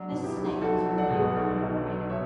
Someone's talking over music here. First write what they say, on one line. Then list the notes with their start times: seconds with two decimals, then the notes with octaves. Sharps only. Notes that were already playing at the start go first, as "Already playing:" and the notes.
This snake is revered and venerated.
Already playing: F#3 D4 F#4
0.12 B2
0.23 E4 G4
0.36 B1
0.61 B1 F#4 A4
0.86 F#3
0.98 D5 F#5
1.11 B2
1.36 B1
1.60 B1
1.85 F#3
2.09 B2 C#5 E5